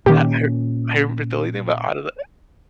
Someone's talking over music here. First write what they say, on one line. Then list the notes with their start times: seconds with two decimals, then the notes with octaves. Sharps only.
uh, I r I remember the only thing about Out of the
0.06 A#2 D#3 C#4 G4